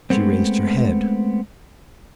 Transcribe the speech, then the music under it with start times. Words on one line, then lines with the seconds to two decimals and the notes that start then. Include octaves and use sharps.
She raised her head.
0.10 G#3 A3 B3 C4